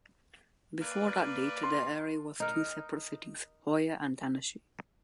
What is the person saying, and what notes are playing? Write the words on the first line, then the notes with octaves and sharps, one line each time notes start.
Before that date, the area was two separate cities Hoya and Tanashi.
A#3 B4 D5
C6
D#4 A#4